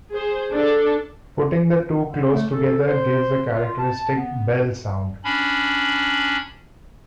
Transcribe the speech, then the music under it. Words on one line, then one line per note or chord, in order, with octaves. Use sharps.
Putting the two close together gives a characteristic "bell" sound.
G#4 C5
D4 A4
D3
A3
A4
C5
F4
A5
B3
C#4 D4 B5